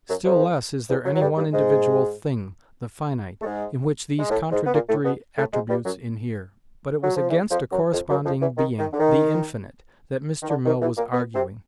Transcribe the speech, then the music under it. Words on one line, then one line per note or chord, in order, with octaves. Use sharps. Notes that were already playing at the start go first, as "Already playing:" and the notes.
Still less is there any one individual thing, "The Finite," in which these contradictory attributes inhere. But it was against a corresponding being, "The Infinite," that Mr. Mill was arguing.
F#2 F#3
F2 F3
E2 E3
F#2 F#3
F#3
G2 G3
G2 G3
G#2 G#3
A3
G#2 G#3
G#3
A2 A3
G#2 G#3
B3
A#2 A#3
A2 A3
B2 B3
A2 A3
G#2 G#3
G2 G3
F#2 F#3
F#3
F3
E2 E3
F2 F3
F#2 F#3
F2 F3
F#2 F#3
F2 F3
E2 E3
D#3
D#3
D3
D#3
D#3
D3
D#3
E2 E3
A#2 A#3
B2 B3
C3 C4